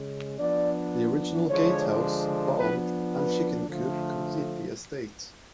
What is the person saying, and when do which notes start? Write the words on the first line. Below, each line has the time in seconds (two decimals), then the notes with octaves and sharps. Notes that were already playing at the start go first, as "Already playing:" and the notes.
The original gatehouse, barn and chicken coop complete the estate.
Already playing: C#3 G#3 C#4
0.39 F3 B3 D4 D5
1.48 D3 F3 G#3 D4 C#5
2.58 F3 B3 D4 B4
3.14 B4
3.68 D3 F3 A3